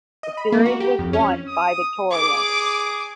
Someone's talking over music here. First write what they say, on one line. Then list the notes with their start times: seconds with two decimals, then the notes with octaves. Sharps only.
The series was won by Victoria.
0.23 D#5
0.37 B5
0.52 A#3
0.66 F#4
0.80 G4
0.99 F2
1.13 C#4
1.48 D#6
2.12 G#4 D6